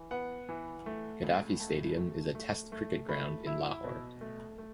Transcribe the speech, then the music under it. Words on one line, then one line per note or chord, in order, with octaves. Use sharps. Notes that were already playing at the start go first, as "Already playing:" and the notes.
Gaddafi Stadium is a Test cricket ground in Lahore.
Already playing: E3
B3 F#5
E3
A3
C#2
A3 A5
A3
A3
A3
A3 B5
E4
B2
A3
A3